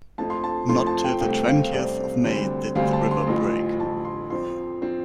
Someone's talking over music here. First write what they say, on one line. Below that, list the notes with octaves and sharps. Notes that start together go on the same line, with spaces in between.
Not till the twentieth of May did the river break.
F2 F3 A3 A5
C6
A5
F2 F3 A3 C6
A5
G5
C2 C3 A3 C4 G5
F5
F5
C2 C3 A3 C4 D5
D2 D3 G3 C4
D2 D3 G3 C4 F5
A5
C6
A1 A2 F3
A1 A2 F3 A5
C6
F2 F3 C4 C6
F3 C4